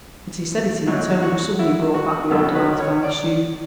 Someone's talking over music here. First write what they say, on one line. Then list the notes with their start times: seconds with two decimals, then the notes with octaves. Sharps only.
But he said it in a tone which suddenly brought back the older man's vanished youth.
0.86 G#2 F#3 E4
1.22 F#4
1.59 E4
1.94 F#4
2.31 C#2 B2 F#3 A4
2.55 B4
2.79 C#5
3.03 D5